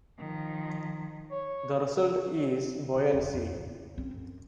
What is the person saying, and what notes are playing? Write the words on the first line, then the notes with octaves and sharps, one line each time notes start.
The result is buoyancy.
D#3 F3
C#5
D4
E1
F2 E4
C#3
C4 C#4
F#2